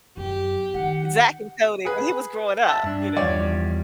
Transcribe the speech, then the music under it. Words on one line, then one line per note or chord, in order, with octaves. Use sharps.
Zack and Cody," when he was growing up, you know?
F#2 G4
D#3 F#5
G#4 B4
E5 A5 E6
G2 D4
E2 F3 G3 C#5 D5